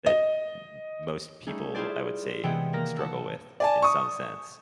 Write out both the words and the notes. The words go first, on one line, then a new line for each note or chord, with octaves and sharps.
that m most people, I would say, struggle with, in some sense.
D#5
G3 A3 C#4 D#4 G#4
E4 F4 G4 G#4 C5 D5
C3 E3 G#3 B3 F#5 G5
D#3 A#3 A#4 A#6
F#5 A5 E6
D5 G#5 A5
C#6 D#6